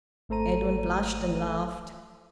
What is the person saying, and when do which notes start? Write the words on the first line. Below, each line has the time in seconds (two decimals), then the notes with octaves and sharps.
Edwin blushed and laughed.
0.29 G#1 A3 A4 C5 A#5 D#7